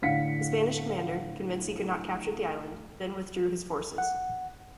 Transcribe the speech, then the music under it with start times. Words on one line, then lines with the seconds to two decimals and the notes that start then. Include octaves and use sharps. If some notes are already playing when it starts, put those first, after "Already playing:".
The Spanish commander, convinced he could not capture the island, then withdrew his forces.
0.02 A2 D3 F5 F#5 B6 C#7
3.98 F#5